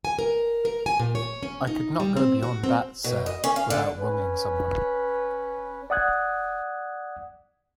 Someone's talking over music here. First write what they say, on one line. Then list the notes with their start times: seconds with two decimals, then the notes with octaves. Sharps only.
I could not go beyond that, sir, without wronging some one.
0.05 G#5
0.19 A#4
0.65 A#4
0.86 G#5
0.99 A#2
1.15 C#5
1.43 C#4
1.67 D#4
2.00 G3
2.17 C4
2.43 F#4
2.64 C4
3.04 B2
3.26 D#5
3.44 C#4
3.56 F5
3.70 D3
3.99 C#4 B4
5.90 D5 F#5 D#6 F#6 G#6